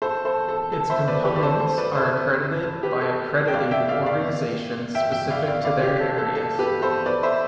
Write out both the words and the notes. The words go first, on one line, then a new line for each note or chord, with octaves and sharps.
Its components are accredited by accrediting organizations specific to their areas.
A4 C5
A4 C5
A4
A4
C5 E5
B4 D5
G4 B4
D5
A4 C5
A4 C5
B4 D5
C5 E5
G4 B4
A4
G5
D5 F5
E5 G5
D5 F5
D5 F5
E5 G5
E5 G5
D5 F5
D5 F5
D5 F5
G4
A4
A4
A4
G4 B4
A4 C5
B4 D5
C5 E5